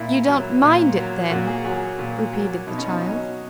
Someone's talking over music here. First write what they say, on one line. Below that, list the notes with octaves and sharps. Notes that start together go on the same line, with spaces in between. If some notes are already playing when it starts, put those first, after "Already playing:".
"You don't mind it, then?" repeated the child.
Already playing: A#2 E4
F#3
A#2
F#3
A#2 F#4
G#4
F#3 F#4
A#2
F#3
B2 D#4
C#4
D#4
F#3